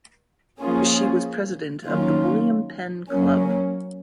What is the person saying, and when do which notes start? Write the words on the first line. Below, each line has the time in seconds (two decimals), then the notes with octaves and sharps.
She was president of the William Penn Club.
0.60 F3 A#3 C#4 F4 G#4
1.85 D#3 F#3 A#3 C#4 F4
3.09 F#3 A#3 C#4